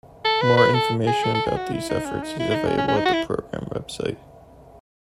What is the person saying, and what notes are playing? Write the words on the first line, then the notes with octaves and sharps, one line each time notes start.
More information about these efforts is available at the program website.
A4
B4
B4
A4
G#4
A4
A4
G#4
F#4
E4
D#4
C#4
D#4
E4
E4
D#4
C#4
C#4
C#4
D#4
F#4
E4